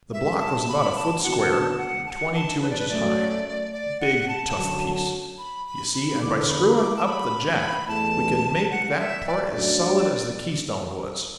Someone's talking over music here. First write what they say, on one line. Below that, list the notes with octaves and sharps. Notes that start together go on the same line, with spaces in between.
The block was about a foot square and twenty-two inches high, a big tough piece, you see, and by screwing up the jack we could make that part as solid as the keystone was.
E5
A5
B5
A5
D3 B3 F#4 F#5
A5
F#5
A5
F#5
A5
F#5
A5
B4
D5
B4
F#2 F#3 A3 D5
D5
F#5
A5
F#2 D3 F#3
B5
B5
B5
E2 D3 B3 E4 D6
B5
D6
A5
B5
E2 E3 A3 A5
F#5
D5
E5
D5
F#2 F#3 A3 D4 F#4 D5